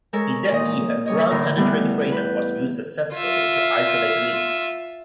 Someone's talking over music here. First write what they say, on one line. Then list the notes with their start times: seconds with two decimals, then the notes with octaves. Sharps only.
In that year Ground-penetrating radar was used successfully to isolate the leaks.
0.13 G#3 A4 A#4 C#5
0.50 A#2 D#3 D#5
1.06 G3 C#5 D#5
1.30 A2 D3 A#4
1.56 E2 G3 A3 B3 F#6
2.12 B4 G6
3.14 F4 E5